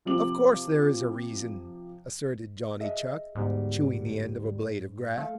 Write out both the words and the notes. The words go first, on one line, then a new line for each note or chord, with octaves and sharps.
"Of course there is a reason," asserted Johnny Chuck, chewing the end of a blade of grass.
C3 F3 D6 F#7
G#4 D#5 E5
D2 G#2 G3 B3
A3 A4 F5